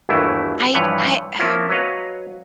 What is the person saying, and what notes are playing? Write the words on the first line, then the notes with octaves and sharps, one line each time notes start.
I I Ugh.
G1 D#2 E3 F#3 A3 E4
G2 E3 F3 B4 C#5 F#5
F3 A#3 C4 C#4 E4 F4
F#3 B4 C#5 D#5 F5